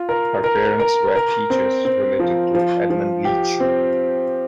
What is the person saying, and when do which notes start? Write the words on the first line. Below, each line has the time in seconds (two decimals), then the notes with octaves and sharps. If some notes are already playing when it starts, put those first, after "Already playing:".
Her parents were teachers related to Edmund Leach.
Already playing: F4
0.09 A#4
0.44 A#4
0.79 A#4
1.15 A#4
1.50 C4
1.85 C4
2.20 F3
2.55 F3
2.90 F3
3.25 G4
3.60 C4